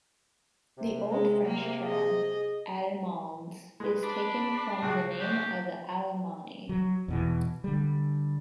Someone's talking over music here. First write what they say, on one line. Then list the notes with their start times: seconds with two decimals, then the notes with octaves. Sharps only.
The Old French term "alemans" is taken from the name of the Alamanni.
0.77 C3
1.11 G#3
1.47 A#3
1.82 G#4 D#5
3.80 G#3 B4
4.03 D4 B5
4.82 C#2 F#4
5.20 C4 F#4 G4
6.69 F#3
7.08 E2 B2 E3
7.64 D3 G3